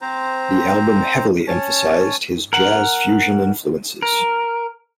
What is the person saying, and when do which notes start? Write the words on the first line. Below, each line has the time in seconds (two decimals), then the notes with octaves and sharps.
The album heavily emphasised his jazz fusion influences.
0.01 C4 C5 A#5
1.47 C#4 C#5 A5
2.53 A#4 F#5
4.02 A#4